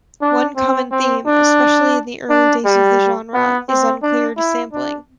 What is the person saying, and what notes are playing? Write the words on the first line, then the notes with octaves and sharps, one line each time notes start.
One common theme, especially in the early days of the genre, is uncleared sampling.
D4
C4
C4
D4
D4
G3
B3
C4
D4
E4
D4